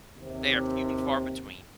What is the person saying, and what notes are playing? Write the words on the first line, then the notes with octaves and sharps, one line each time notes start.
they are few and far between.
D#2 C3